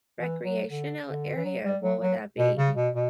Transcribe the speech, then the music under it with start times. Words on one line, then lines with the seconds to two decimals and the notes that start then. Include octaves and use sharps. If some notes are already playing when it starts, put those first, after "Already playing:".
recreational area, what would that be?
0.20 E3
0.45 F#3
0.70 D3
1.07 D3
1.36 E3
1.45 F#3
1.64 G3
1.82 F#3
2.01 F#3
2.38 B2
2.57 C#3
2.76 B2
2.94 B2